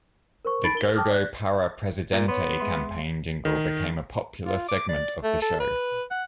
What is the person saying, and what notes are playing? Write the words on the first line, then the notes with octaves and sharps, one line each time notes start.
The "Gogo Para Presidente" campaign jingle became a popular segment of the show.
A#4 C5 C#6
D#4 B5 A6 D7
A#4 G7
G5 A5 D6 D#6 F6
D5 F#6
A#2
B3 C#5 C6
G#3 E5 C6
D#3
F4
D6
D5
A3
A4
B4
F#5